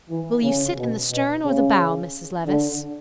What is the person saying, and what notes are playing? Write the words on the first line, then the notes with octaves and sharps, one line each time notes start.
"Will you sit in the stern or the bow, Mrs. Levice?"
E3
C#3
B2
B2
C#3
D3